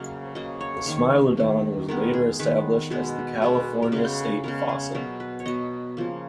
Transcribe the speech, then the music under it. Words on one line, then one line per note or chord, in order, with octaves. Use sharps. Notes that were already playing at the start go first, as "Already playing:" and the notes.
The smilodon was later established as the California state fossil.
Already playing: C#3 F#3 A#3 D#5 F5
C#3 F#3 A#3 D#5
C#5
D#3 A#3 C#5
D#3 A#3
D#3 G#3 B3 A#4
G#4
D#3 G#3 B3 B4
B2 G#3 B3
B2 G#3 B3
A#4
C#3 G#3 B3 B4
C#3 G#3 B3 A#4
G#4
B2 F#3 B3 A#4
B4
C#5
B2 F#3 B3 D#5
C#3 F3 A#3